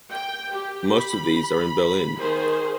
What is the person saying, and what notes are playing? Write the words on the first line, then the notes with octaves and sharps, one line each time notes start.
Most of these are in Berlin.
G5
G4
B5
D#3 G#4 C5